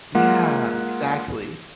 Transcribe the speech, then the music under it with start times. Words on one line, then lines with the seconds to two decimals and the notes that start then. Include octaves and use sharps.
Yeah, exactly.
0.15 G#3 A#3 F4 F#5